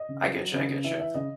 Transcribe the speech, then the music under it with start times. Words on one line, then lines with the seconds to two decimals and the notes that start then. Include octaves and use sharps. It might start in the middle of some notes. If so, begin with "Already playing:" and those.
I get you, I get you.
Already playing: D#5
0.09 C#3
0.23 F#3
0.39 F#3
0.53 C#3
0.68 C#3
0.84 E3 E5
0.99 E3 E5
1.14 C#3 D#5